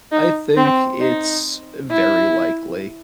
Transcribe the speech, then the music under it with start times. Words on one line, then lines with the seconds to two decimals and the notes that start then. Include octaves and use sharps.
I think it's very likely
0.12 D#4
0.57 C4
1.01 D#4
1.91 E4